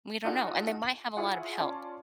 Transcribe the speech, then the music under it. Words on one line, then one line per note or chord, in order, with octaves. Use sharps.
We don't know, and they might have a lot of help
D4 D#4 F4 F#4 G#4 A4
F#7
E4 F4 G#4 C#5 F#5
C#4 F4 D5 A5 C6